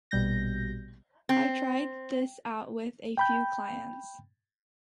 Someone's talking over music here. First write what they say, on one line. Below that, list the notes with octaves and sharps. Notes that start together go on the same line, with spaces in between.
I tried this out with a few clients.
A#1 B2 G3 G6 A#6
C4
G5 B5 G6